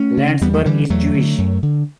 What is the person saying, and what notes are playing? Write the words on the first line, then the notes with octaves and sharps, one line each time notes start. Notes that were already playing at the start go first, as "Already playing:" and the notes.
Landsberg is Jewish.
Already playing: A3 C#4
C#3
E2 G3 B3
A3
D3 E3 G3
E2 F#3 A3
D3
F#2
D3